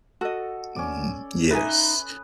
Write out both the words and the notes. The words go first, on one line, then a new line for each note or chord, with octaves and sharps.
Mhm, yes,
F#4 A4 D#5
C#4 D5
D#4 B4 E5 G#5 D#6